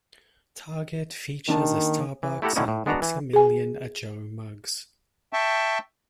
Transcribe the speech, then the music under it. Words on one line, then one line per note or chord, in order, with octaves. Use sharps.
Target features a Starbucks and Books-A-Million a Joe Muggs.
D#2 D#3 D4 A5
E3
A3 E4 G4 A4 F#5 A#5
A2 D3 C#4 D#4 E4
A2
G#3 B3 D4 F#4 A#5
E3
G#4 G#5
E5 G5 A5 C#6